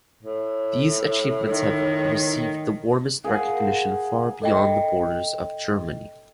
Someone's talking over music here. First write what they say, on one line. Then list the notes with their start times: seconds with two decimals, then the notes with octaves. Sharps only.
These achievements have received the warmest recognition far beyond the borders of Germany.
0.23 A2
1.49 D#3
3.24 G#4 A#4 F5 F#5
4.42 A4 D#5 G5